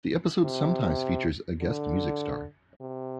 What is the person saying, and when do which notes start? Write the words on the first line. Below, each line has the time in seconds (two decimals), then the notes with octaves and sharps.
The episode sometimes features a guest music star.
0.43 C3
1.61 D3
2.80 C3